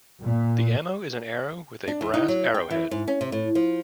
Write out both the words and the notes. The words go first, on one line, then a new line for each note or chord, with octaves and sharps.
The ammo is an arrow with a brass arrowhead.
A#2
D4
E2
D#4
F#3
G5
E3
G#2
C#4
C3
A2
F3